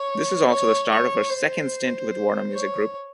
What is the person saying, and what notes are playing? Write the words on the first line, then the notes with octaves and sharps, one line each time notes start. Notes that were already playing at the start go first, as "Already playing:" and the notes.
This is also the start of her second stint with Warner Music Group.
Already playing: C#5
C#5
C#5
C5
C#5